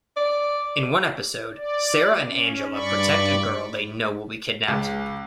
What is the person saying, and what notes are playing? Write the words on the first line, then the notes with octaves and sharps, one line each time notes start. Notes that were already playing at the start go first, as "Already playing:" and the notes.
In one episode, Sarah and Angela protect a girl they know will be kidnapped.
D5
D5
C#4
G2 D5 B5 C#6
C#2